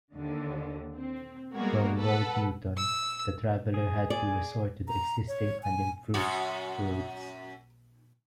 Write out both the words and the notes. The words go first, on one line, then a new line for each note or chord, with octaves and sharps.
From Wold Newton, the traveller had to resort to the existing unimproved roads.
D#2 D3
C4
G3 G#3 A#3 B3 F#4 A#4
A4 B4 F#5
E6
G#4
D5 G#5
A#5
C#5
G#5
F#2 F#4